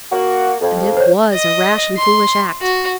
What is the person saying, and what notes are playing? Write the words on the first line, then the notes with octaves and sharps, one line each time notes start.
And it WAS a rash and foolish act.
A#3 F#4
F2
C5 C#5
D#5
C6
F#4